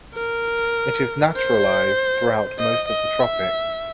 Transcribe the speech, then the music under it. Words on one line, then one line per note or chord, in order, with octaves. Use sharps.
It is naturalized throughout most of the tropics.
A#4
C5
D#5
D#5
E5